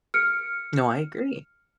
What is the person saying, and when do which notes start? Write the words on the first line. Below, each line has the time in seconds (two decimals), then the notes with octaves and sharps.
No, I agree.
0.14 F6 C#7 D7